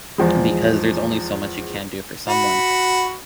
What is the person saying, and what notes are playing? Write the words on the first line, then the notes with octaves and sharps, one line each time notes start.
because there's only so much you can do for someone,
E2 F3 G#3
F#4 B5